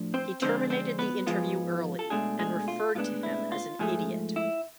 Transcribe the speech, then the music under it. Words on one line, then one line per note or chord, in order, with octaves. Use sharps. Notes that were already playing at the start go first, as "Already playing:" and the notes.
He terminated the interview early and referred to him as an idiot.
Already playing: A2 F3 D4
C4 C5
F2 D3 G#3 C4 D4 C5
C4 C5
B3 B4
G#2 F3 G#3 B3 F4
A4
B2 G#3 A3 D4 G#4
G#3 G#4
F4
A2 G#3 B3 D4 F4
E4
F4
G#2 F3 G#3 A3 G#4
E4